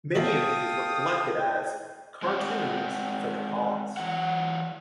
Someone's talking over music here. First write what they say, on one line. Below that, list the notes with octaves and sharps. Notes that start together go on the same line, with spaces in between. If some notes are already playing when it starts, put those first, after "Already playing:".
Many of these were collected as "Cartoons for the Cause".
E3 F#3 A3 A4 F5 G5 D#6
G#3 C4 F#4
E3 F#3 F#5